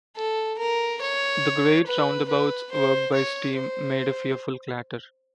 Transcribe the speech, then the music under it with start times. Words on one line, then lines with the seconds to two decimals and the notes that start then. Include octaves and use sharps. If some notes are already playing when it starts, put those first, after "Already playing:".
The great roundabouts, worked by steam, made a fearful clatter.
0.17 A4
0.59 A#4
1.01 C#5
1.86 B4
2.28 B4
2.72 C5
3.14 C#5
3.57 C5